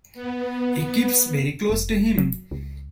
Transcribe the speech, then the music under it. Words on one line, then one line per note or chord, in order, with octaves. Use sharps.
He keeps very close to him.
B3
F1
F#3
C#2